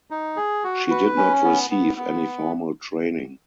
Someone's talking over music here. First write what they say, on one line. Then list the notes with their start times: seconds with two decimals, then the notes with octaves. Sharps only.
She did not receive any formal training.
0.10 D#4
0.37 G#4
0.64 F#4
0.90 B4
1.17 C#4
1.44 B3
1.70 B3
1.97 B3